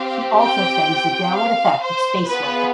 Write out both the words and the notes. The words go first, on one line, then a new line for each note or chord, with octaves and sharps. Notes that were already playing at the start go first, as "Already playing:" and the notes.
She also studies the downward effect of space weather.
Already playing: C4 G4 F5
G5
F5
C5
B3 F4 G#4 B4